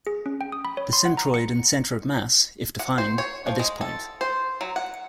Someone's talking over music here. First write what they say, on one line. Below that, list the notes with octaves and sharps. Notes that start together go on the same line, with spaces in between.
The centroid and center of mass, if defined, are this point.
G#4
C#4
G5
D#6
B5
C#5
C6
F#5
A#5
C#7
F#5
C5
C#5
F3
G#3
A4
C5
F#3
F#5